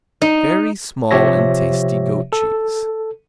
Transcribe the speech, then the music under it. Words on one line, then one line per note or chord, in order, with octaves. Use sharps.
Very small and tasty goat cheese.
D#4
C3 F3 G4 C#5 E5 A#6
A4